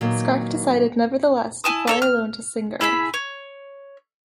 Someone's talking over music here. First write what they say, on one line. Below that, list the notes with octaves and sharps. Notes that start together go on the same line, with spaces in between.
Scarf decided nevertheless to fly alone to Singora.
A#2 D#3 F#3 A#3 B3
E4 G#5 A5 D#6
D4 A4 C#5
F6
E4 G#4 A5 B5
C#5